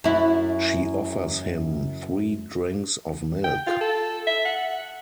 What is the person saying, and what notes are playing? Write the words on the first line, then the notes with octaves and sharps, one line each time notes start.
She offers him three drinks of milk.
F#2 E4
G5
F4
A4
E5
F#5